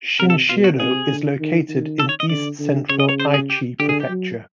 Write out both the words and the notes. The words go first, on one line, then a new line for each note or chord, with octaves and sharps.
Shinshiro is located in east-central Aichi Prefecture.
C3 A#4
A4
B2 F4
F#4
C3 G#4
D3
D#3
D#3
A4
C#5
D#5
D3 D5
D3
C#3 C#5
D#5
C#5
C5
G#4
G4
D3 G4
G#4
G4
F#3